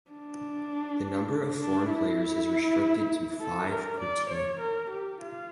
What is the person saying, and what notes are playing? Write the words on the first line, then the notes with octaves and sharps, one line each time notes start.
The number of foreign players is restricted to five per team.
D4
D4
E4
A4
A#4
D5
C#5
A#4
G4
F4